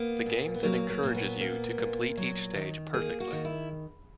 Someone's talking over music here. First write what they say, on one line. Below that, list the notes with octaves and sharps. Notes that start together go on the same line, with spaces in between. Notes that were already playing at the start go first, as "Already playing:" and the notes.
The game then encourages you to complete each stage "perfectly".
Already playing: A#3 B3
A#2
B3
F#3 A#3
A#3
A#2
B3
A#3
A#2
F#3
D#3
A#3 G#4
F#4
D#3
E4